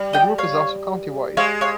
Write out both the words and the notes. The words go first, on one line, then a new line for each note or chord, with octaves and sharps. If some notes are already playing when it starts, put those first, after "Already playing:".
The group is also countywide.
Already playing: G3
D#5 G5
C#5 F5
G#3 C#5 F5
C#5 F5